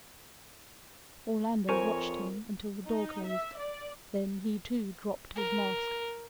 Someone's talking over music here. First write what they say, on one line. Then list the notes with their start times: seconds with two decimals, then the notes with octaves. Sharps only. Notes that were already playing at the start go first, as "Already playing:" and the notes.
Orlando watched him till the door closed, then he too dropped his mask.
1.69 F2 A#4 C5 C#5 G#5 C#6
2.86 D#4
3.25 E5
3.58 D5
5.35 A#4